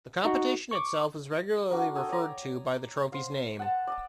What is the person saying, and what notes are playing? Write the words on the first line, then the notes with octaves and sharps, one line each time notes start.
The competition itself is regularly referred to by the trophy's name.
D#4 F#4
C#6 D6
D4 F#4 A#4
A4 D#5 G5 G#5
C#5 D5 A#5
C5 F5
F#5 A5
D5 D#5 A5